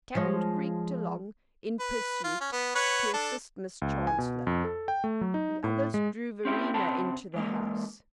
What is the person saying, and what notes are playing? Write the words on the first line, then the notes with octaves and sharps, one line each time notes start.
Tarrant creaked along, in pursuit, to assist Miss Chancellor; the others drew Verena into the house.
F3 G#3 C#5
B4
F4
C#4
B3
B4 C#5 F#5
D4 A4
C#2
G#5
B2
F2
A4
G5
A3
F#3
D#4
A2
G#3
C4 C#4 E4 G4
C#3 C4 A5 B5
E3 G#3 A#3